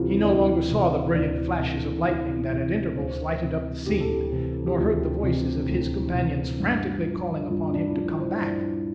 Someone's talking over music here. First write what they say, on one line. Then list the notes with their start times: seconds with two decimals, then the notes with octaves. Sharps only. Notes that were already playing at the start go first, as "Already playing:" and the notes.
He no longer saw the brilliant flashes of lightning that at intervals lighted up the scene, nor heard the voices of his companions frantically calling upon him to come back.
Already playing: D2 C3 E3 E4 F4 G4
0.23 D2 D5
0.68 C3 E3
1.13 D2 D5
1.58 C3 E3
2.05 D2
2.50 C3 E3
2.96 D2 C5
3.42 C3 E3
3.86 D2 G4
4.00 A4
4.14 G4
4.32 C3 E3
4.66 G4
4.78 D2 F4
5.23 C3 E3
5.69 D2
6.15 C3 E3
6.60 G2
7.05 F3
7.50 G2 F4
7.74 D4
7.87 E4
7.96 F3 D4
8.20 C5
8.41 G2 D5